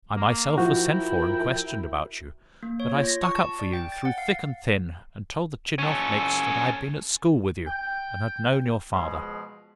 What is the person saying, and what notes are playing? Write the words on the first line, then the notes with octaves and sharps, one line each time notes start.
I myself was sent for and questioned about you, but I stuck up for you through thick and thin, and told the tchinovniks that I had been at school with you, and had known your father.
A#3
F3 E4 F#4 A#4 G5
A#3
C#5
F4
A#6
C#6
A5
D5
G5
A6
F#5
F5
C#4 A4
G5
B2 F3 G#3